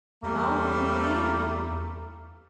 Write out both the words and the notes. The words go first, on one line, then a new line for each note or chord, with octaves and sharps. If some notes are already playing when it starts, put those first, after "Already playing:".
Now do you believe?
E2 G3 A3 A#3